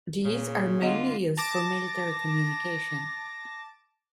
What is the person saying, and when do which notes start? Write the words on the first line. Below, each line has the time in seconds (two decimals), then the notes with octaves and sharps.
These are mainly used for military communication.
0.25 A#2 C#3
0.82 D3 B3 F4 D#5 F#5
1.37 A5 D6 A6 A#6